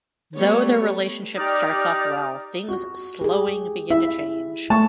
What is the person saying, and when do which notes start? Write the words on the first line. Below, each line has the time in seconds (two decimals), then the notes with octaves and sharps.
Though their relationship starts off well, things slowing begin to change.
0.36 G3 A3 B3 C#5
1.37 D#4 G4 D5 F6
2.68 F#4
3.21 G4 G#4
3.90 E4 E5
4.70 A3 A5 C#6